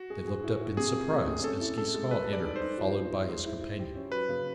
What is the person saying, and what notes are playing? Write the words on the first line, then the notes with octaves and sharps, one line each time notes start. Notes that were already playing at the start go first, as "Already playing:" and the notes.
They looked up in surprise as Giscon entered followed by his companion.
Already playing: F#4
G#4
G#4
E4
E4
C3 G#4
F3
A3
C3
C#4 A4
E4
G#3 A4
G#3
G#4 B4
G3
D5
D#4
C5
D#4
F3
F3
F3
G#3
E4
E4
G4
C#4
F#3 B4
C#3